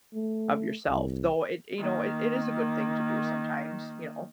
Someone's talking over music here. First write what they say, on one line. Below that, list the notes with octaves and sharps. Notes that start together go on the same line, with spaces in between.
of yourself. Though it, you know, it it is a good thing to do sometimes, you know?
A3
C2
D#3 A#3